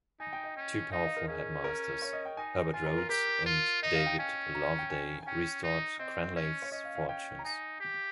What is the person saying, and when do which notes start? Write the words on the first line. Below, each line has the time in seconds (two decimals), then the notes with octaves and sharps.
Two powerful headmasters - Herbert Rhodes and David Loveday restored Cranleigh's fortunes.
0.20 D#4 G#5
0.33 G5
0.44 D#5
0.56 C#4
0.92 D#4 F5
1.05 D#5
1.17 A#4
1.28 C#4 G#4
1.64 A#4
2.02 C#5
2.13 D#5
2.25 G5
2.37 D#4 G#5
2.73 F4 G#5
2.86 A#4
2.98 A#4
3.09 G4 A#4
3.46 F4
3.83 D#4 D#5
3.94 F5
4.06 G5
4.19 C#4 G#5
4.55 A#5
4.79 G5
4.90 G#5
5.23 G#5
5.27 C#4 G5
5.63 D#4
5.99 C4 D#5
6.36 C#4
6.62 C#5
6.72 C#4 D#5
6.84 F5
6.95 F5
7.09 C#4 G5
7.39 A#5
7.44 D#4 G#5
7.80 G4